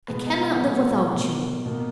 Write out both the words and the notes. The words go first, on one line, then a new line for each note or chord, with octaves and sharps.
I cannot live without you!
B2 G#3 B3 B4
D#5
F#5
A#2 F#3 B3 F#5
B2 A#3
B2 A#3